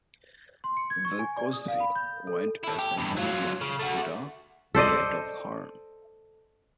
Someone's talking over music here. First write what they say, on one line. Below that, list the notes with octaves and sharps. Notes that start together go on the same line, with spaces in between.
Bill Cosby went as a comedian to the "Gate of Horn".
C6
C#7
G#6
C#6
G#5
D5
D#6
F5
B5
G6
A4
E4 A4
G4
E2 G2
F#3 F4
C#3
A3 F#4
A4 C5 D5 D#5